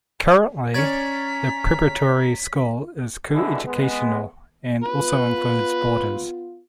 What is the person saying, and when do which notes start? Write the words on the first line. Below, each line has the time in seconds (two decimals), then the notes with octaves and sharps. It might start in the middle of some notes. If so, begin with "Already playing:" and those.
Currently, the preparatory school is co-educational and also includes boarders.
0.74 C#4 C#5 D5 A#5 G#6 B6
3.33 B2 D3 E3 G3 E4 G#4
3.66 G#3 B3
4.83 B3 F4 B4